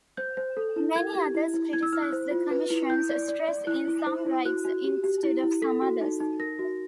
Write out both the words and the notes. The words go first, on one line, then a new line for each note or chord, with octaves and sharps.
Many others criticize the Commission's stress in some rights instead of some others.
C5 G6
C5
A4
E4
A#4 G#6
G4
E4
E4
E4 G#6
E6
E4 F6
F#6
C5
F4
B4
E4
E4 G6
D5
D5
D5
E4 F#6
E4
C5
E4
F#4 F#6
F#4
G4
G4
E4
E4
A4 B6
F#4
D#4
D#4
A#4 A#6
F#4